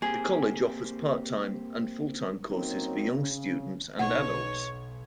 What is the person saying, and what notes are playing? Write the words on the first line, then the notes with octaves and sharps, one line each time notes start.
The college offers part-time and full-time courses for young students and adults.
A#3 C4 G4 G#4
F#3 A#3 C4 C#4 D#4
C#3
B1 C#5 F#5